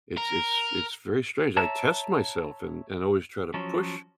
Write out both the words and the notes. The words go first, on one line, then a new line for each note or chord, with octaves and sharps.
It's it's it's very strange. I test myself and and always try to push
A#4
C#5 E5 A5 A#5
F3 F#3 C#4